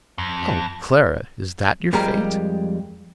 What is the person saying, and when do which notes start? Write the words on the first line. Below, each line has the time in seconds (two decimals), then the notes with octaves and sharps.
"Oh, Clara, is that your fate!"
0.18 F2
1.93 F2 G3 G#3 G4 A#4 A#5